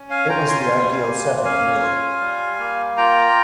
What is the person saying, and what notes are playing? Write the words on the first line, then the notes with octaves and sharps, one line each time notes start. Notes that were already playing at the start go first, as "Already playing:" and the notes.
It was the ideal setting really.
Already playing: C#4
F5 G#5
F4 G5 A#5
G#5 C6
G3
A#3
C#4 F5 G#5
F4
G3
A#3
F4 G5 A#5